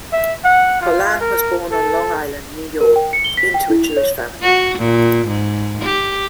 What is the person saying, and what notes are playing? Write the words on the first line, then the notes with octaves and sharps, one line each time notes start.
Pollan was born on Long Island, New York, into a Jewish family.
E5
F#5
F4
A#4
A4
A#4
G5
C#7
G7
B6
G5
E4
F7
C#5
F#4
A#2
G#2
G4